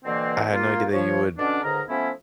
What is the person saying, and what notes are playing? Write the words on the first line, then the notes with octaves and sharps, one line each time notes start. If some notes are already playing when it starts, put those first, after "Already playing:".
I I had no idea that you would
B2 D3 E3 A#3 C4
A#3 F4
F3 C#5
B2 D3 C#4 D4
C#2 G#2 D3 G#4 A#4 A#5
F3 A3 B3 C#4 E4